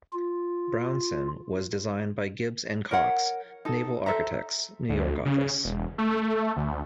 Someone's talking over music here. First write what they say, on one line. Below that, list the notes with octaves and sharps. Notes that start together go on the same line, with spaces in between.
"Brownson" was designed by Gibbs and Cox, Naval Architects, New York office.
F4
A#4 C#5 F#5
D#4 A4
A4 C5 E5 A#5
D2
C#3
E1
A3
D2